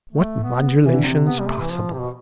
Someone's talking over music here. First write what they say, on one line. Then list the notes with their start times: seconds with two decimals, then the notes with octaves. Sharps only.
What modulations possible!
0.13 A3
0.43 B3
0.86 E3
0.94 D3
1.03 C3
1.26 B3
1.40 G3
1.48 A3
1.59 E3
1.70 F3
1.93 C3
2.01 B2